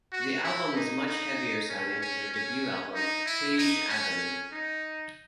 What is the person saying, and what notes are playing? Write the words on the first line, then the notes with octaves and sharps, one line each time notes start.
The album is much heavier sounding than their debut album "Page Avenue".
F#4
E4
D#4
D#4
C#4
C#4
C#4
D#4
E4
D#4
C#4
D#4